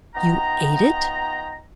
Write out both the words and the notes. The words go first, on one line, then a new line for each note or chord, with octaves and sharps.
"You ate it?"
B3 D#4 F4 G5 A#5